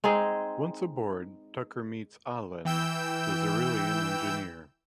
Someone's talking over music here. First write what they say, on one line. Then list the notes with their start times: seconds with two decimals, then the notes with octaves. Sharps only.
Once aboard, Tucker meets Ah'len, the Xyrillian engineer.
0.04 G#3 C4 D#4 G#4
2.65 E3 G5 E6 G6